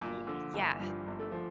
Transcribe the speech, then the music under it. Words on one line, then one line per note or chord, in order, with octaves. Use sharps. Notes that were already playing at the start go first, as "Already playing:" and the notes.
Ye yeah.
G1 A#2
D3 F3
G1 E3
G2 F3
G1
A3
F3